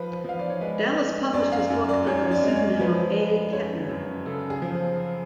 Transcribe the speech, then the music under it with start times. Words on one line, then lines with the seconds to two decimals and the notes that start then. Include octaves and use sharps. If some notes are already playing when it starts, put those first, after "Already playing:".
Dallas published his book under the pseudonym of A. Kettner.
Already playing: F3 B4
0.24 F3 F5
0.39 D5
0.50 C#5
0.61 G#3 B4
0.97 G#3
1.33 F#2 D5
1.52 F5
1.70 F#2
1.89 D5
2.07 F#2 C#5
2.22 C#5
2.31 D5
2.43 G#3
2.56 C#5
2.79 F3 B4
3.17 G#3
3.53 F#2 C#5
3.89 F#2
4.26 C#3 A4
4.50 G#4
4.62 F3